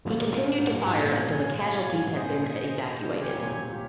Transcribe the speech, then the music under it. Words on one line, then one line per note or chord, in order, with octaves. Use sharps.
He continued to fire until the casualties had been evacuated.
A#2 A#3 F4 C5
G#2 A#3 F4 C5
G2
G#2
A#2
C3 F4 G#4 C#5 G#5
A#2
C3 F4 G#4 C#5 G#5
G2
G#2
A#2 G#4 C5 D#5
G#4 C5 D#5
C#3 G4 C#5 G#5
A#2
C3
C3
A#2 G4 C#5